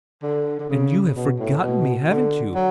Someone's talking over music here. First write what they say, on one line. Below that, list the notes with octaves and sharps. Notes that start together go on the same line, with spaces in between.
And you have forgiven me, haven't you?
D3
D3
C#3
B2
A2
B2
D3
F#3